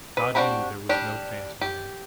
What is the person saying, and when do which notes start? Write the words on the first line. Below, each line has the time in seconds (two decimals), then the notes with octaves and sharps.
God knew there was no phantom there!
0.17 B4
0.35 C4 D4 F#4 G4 B5
0.89 G3 D4 G4
1.61 G4